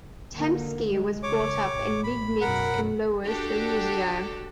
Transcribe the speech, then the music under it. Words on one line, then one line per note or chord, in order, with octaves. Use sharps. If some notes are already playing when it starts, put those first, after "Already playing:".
Tempsky was brought up in Liegnitz in Lower Silesia.
D3 A#3
G#3
C#3 C#5 D6
A1
B5
F#2 B2 A#4 F#5 B5
D4 F#4 G4 A4